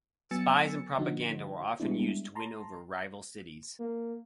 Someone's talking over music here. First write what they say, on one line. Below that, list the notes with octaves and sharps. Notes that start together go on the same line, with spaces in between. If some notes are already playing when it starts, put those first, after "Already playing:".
Spies and propaganda were often used to win over rival cities.
F#3 B3 G#5 E6 A6 C#7
D3 F3 D#4 F#4
G3 G#3 B3 D4 E4
A5 A#5 C6
A#3